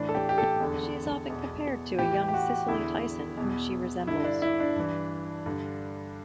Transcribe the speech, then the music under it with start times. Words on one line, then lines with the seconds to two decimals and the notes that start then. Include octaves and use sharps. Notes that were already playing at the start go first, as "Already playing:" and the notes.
She is often compared to a young Cicely Tyson, whom she resembles.
Already playing: A2 E3 D4
0.09 A4
0.15 G4
0.29 G4
0.38 A4
0.60 E2 D3
1.30 E2 B2
1.99 A2 E3 G4
2.29 G4
2.34 F#4
2.68 E2 D3 E4
3.37 E2 B2
4.07 G2 D3 E4
4.24 D4
4.42 E4
4.60 D4
4.76 G2 E3
5.46 G2 D3